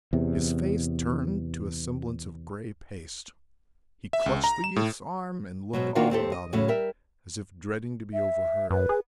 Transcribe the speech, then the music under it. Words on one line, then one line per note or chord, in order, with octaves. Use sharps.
His face turned to a semblance of gray paste. He clutched the youth's arm and looked all about him, as if dreading to be overheard.
E2 C3
E5
C#2
A#5
E7
A2
G#2 B2 F#3
D#3 A#3 D4 F4 F#4 D5
D#2 C4 G4 A4
D#5
A2 C#3 F#3 A3
G3 A#4 E5
E5
F#2 B4
G#4